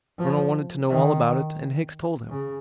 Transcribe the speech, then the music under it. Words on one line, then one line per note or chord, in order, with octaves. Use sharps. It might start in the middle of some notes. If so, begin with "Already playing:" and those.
The Colonel wanted to know all about it, and Hicks told him.
F3
D#3
C#3